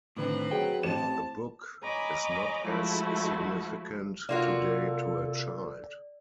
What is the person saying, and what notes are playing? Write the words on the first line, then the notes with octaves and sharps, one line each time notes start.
A book is not as significant today to a child.
A2 D3 D#3 C4 B4
F#3 G#4 G5
A1 C4 A5 E7
C#5 D#5 G#5 A#5 B5 D6
F3 G#3 A3 E4 F#4
C3 A#3 F4 F#4 A4 D5